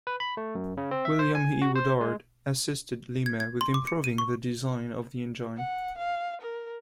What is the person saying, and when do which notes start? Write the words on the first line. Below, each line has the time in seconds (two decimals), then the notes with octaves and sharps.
William E. Woodard assisted Lima with improving the design of the engine.
0.07 B4
0.20 B5
0.37 A3
0.55 F#2
0.77 C#3
0.91 C4
1.05 E5
1.19 C5
1.35 G#5
1.62 F#4
1.76 C5
2.01 G#3
3.26 G#6
3.40 G#6
3.61 C6
3.74 D6
3.87 C#7
4.04 D#7
4.18 C#6
5.57 F#5
5.98 F5
6.42 A#4